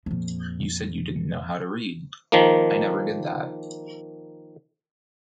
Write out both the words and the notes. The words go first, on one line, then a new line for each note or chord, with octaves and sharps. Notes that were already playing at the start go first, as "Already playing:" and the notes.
You said you didn’t know how to read. I never did that.
F2 A#2
D#3 F3 A#3